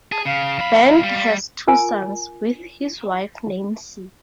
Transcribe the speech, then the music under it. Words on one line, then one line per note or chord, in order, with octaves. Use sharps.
Bent has two sons with his wife Nancy.
G#4 A5
C#3 F5
F2 B5
G3
G3
F4 A#4 G#5